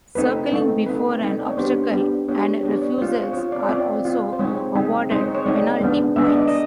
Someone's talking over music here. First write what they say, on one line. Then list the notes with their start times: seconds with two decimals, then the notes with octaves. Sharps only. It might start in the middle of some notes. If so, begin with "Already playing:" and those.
Circling before an obstacle and refusals are also awarded penalty points.
0.15 A3 C4 D#4 B4
0.51 A3 C4 D#4
0.86 A3 C4 D#4 B4
1.22 A3 C4 D#4
1.39 D5
1.48 C#5
1.57 B3 D4 G4 C5
1.92 B3 D4 G4
2.28 B3 D4 G4 C#5
2.63 B3 D4 G4 C#5
2.73 D5
2.82 C#5
2.98 C4 F4 C5
3.11 C5
3.23 C#5
3.33 C4 F4 C#5
3.52 D5
3.63 C#5
3.69 C4 F4 D5
4.05 C4 F4
4.33 C5
4.39 G#3 C4 D#4 C#5
4.75 G#3 C4 D#4
5.11 G#3 C4 D#4 C5
5.22 C#5
5.35 C#5
5.46 G#3 C4 D#4 D5
5.81 G#3 B3 D4
6.16 G#3 B3 D4 E5
6.27 D#5
6.37 D5
6.48 D#5